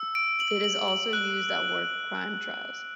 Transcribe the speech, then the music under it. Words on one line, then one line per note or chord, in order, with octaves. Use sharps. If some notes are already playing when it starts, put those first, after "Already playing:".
It is also used at war crime trials.
Already playing: E6
D7
F#7
F#7
F#7
F#6